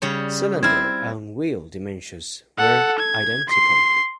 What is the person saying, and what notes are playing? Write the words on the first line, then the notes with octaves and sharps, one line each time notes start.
Cylinder and wheel dimensions were identical.
C#3 G3 C#5
C4 E4 F6 G#6
A4 F#5
G#6
C6 C7